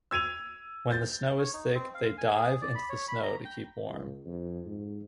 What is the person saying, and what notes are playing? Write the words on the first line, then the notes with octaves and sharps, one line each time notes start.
When the snow is thick they "dive" into the snow to keep warm.
E6 G#6 D#7 F7
G6 A6
C#5
D#4
C4
F5
G#5
G#4
D5
B5
C#5
B5
A#5
G5
C#2
F2
G#2